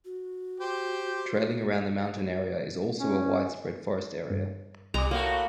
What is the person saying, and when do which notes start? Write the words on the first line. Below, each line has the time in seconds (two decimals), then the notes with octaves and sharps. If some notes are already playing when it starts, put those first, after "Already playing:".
Trailing around the mountain area is also a widespread forest area.
0.05 F#4
0.60 G4 C5 G5
3.00 C#4
4.31 G2
4.94 C2 G3 A#5 D6
5.11 A2 A3 A#3 F#4